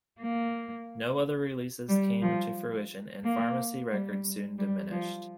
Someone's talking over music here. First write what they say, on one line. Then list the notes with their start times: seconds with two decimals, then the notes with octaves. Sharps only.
No other releases came to fruition, and Fharmacy Records soon diminished.
0.21 A#3
1.88 G3
2.22 F3
3.24 A#3
3.91 G3
4.58 G3
4.91 F3